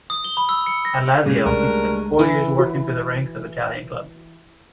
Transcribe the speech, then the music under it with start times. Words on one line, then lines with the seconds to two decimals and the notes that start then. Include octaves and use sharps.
At Lazio, he spent four years working through the ranks of the Italian club.
0.10 D#6
0.25 G7
0.37 B5
0.49 E6
0.66 C#7
0.85 A#6
1.26 A#2 C#3 G#3
1.45 C#2 G3 A3 D4 A#4
2.19 E3
2.59 F#4